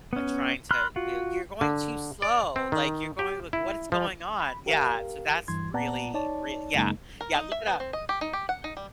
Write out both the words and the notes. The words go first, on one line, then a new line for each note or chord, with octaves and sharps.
uh, trying to w "You're going too slow, like, you're going, like, what it's going on?" Yeah. So, that's really rea yeah, yeah, look it up.
B3 C#4
B5 C6 F6 F#6
F4 F#4
D3
D5
C4
D#3
G4
E4
F3
B5
G4 A#4 F5
G2 E3 C6 G#6
A#2 B3 D5 F#5 A5 A#5
D#4 C#5 D5 A5
F#2 C#3 G#3 A#3 D#4
A#4
D#4
E5
B3
C4
D#5
G4
D#4
G4
F#5
D#4
G3